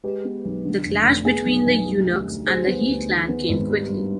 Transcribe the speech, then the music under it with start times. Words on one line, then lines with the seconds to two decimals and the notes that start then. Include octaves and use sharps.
The clash between the eunuchs and the He clan came quickly.
0.04 G#3 G4 B4
0.24 B3
0.45 B1
0.64 D3
0.84 F1
1.04 F1
1.25 B3 G#4
1.46 B1
1.66 B1
1.86 G3
2.06 D2
2.26 D2
2.47 G3 G#4 C5
2.67 B3
2.88 D2
3.08 D#3
3.28 B3
3.49 G#1
3.68 G3
3.89 G2